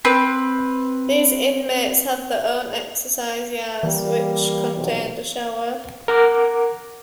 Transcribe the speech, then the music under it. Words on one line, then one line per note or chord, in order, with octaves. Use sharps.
These inmates had their own exercise yards, which contained a shower.
C4 B4
E3 G3 A#3
B1 C3
A#4 F#5 A#5 D6